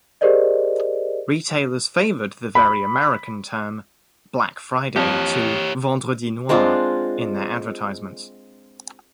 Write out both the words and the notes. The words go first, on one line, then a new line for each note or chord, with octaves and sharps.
Retailers favored the very American term "Black Friday" to "Vendredi noir" in their advertisements.
G4 G#4 A#4 C5 D5 D#5
B5
F2 G4 C#5
G#3 C4 D4 F4